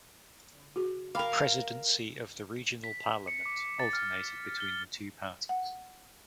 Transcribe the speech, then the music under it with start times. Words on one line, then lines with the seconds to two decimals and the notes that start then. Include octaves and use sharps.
Presidency of the regional parliament alternated between the two parties.
0.76 F#4 G#4
1.15 A#4 F5 G5 B5 D6
2.84 B6
3.27 C#7
3.46 D6
3.79 A6
3.93 F6
4.60 G7
5.49 F#5